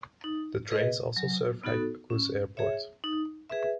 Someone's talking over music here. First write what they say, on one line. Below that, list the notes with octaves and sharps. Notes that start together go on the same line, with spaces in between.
The trains also serve Haikou's Airport.
D#4
G#4 B4 D#5
F#3
B3 D#4 F#4 A4
C#4
G#4 C#5 E5
D#4
G#4 B4 E5